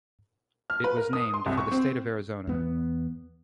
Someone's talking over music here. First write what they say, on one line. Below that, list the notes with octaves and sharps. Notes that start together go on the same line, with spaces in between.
It was named for the state of Arizona.
F6
B4
A#4
D#6
C6
C2
C#6
C4
E2 B3